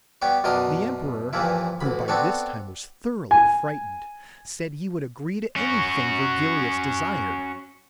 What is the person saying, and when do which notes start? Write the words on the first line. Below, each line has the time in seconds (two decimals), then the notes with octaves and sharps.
The emperor, who by this time was thoroughly frightened, said he would agree to anything Virgilius desired.
0.22 G3 B3 G4 C#5
0.44 F#2 B2 D4 A#4 C6 D#6
1.33 G2 A#2 E3 F3 E4
1.81 A1 D2 B5
2.08 B3 C4 D4 A4 C#5
3.31 G#5
5.56 C#4 F#4